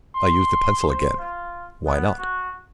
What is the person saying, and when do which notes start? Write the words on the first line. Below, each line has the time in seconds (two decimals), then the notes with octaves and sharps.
I used the pencil again: "Why not?"
0.15 C6
0.89 C5
1.18 F4
1.86 B3
2.19 F#4